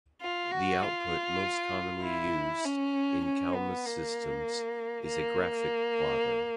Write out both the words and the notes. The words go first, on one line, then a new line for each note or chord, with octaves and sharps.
The output most commonly used in Calma's systems is a graphic plotter.
F4
F#4
F4
E4
C#4
C#4
B3
A#3
A#3